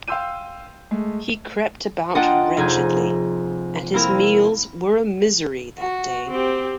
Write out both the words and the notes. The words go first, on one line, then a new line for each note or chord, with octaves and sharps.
He crept about wretchedly, and his meals were a misery that day.
F5 G5 C6 E6 G6 D#7
G#3 A3
A#3 D4 F4 D#5 F#5 G5
F1 D#4 G#4 G6
A#3 C4 E4 A#4
F#4
C4 G4